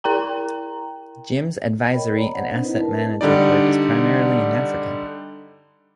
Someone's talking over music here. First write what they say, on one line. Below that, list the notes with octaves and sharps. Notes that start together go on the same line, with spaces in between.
Jim's advisory and asset management work is primarily in Africa.
E4 A#4 G5 A#5
A#4 C#5 D#5 G5 B5
C#5 D5 A#5 B5
C5 F#5
C4 D4 D#4
E4 B4 D#5
A#4 A5
D3 G3 D#4 D5